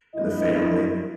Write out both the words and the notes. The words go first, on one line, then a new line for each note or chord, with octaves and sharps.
and the family.
G2 E4 D#5